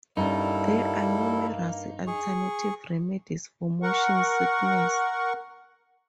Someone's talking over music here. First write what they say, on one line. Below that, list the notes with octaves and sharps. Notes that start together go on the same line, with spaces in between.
There are numerous alternative remedies for motion sickness.
G2 G3 A#3 C#4 D#4 E4 A4
G#4 C#6
A#4 F#5 C#6